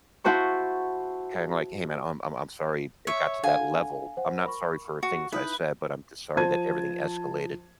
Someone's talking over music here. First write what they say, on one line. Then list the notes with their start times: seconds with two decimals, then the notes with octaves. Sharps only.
kinda like, "Hey, man, I'm I'm I'm sorry it got to that level, I'm not sorry for the things I said, but I'm just sorry that everything escalated"
0.24 E4 F#4 C5 A5 C#6
3.07 C#5 E5
3.43 D4 A4 F5 F#5 G#5
4.17 C5 F#5
4.45 A#4 B5 C#6
5.03 F#4
5.32 D#4 E4 B4 D#6 G6
6.37 F3 C5 A5 G#6 D#7